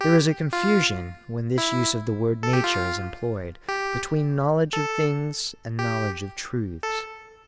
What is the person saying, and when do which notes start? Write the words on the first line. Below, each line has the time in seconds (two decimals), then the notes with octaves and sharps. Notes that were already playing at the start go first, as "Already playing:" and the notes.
There is a confusion, when this use of the word 'nature' is employed, between knowledge of things and knowledge of truths.
0.01 G4
0.53 F4
1.58 E4
2.43 A4
2.53 G4
2.64 F4
3.68 G4
4.73 A4
5.79 G4
6.83 A4